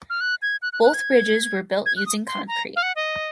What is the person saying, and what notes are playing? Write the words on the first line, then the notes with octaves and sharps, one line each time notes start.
Both bridges were built using concrete.
F6
F#6
G#6
F#6
F#6
F#6
G#6
G#6
F#6
D#6
C6
A#5
F5
F#5
D#5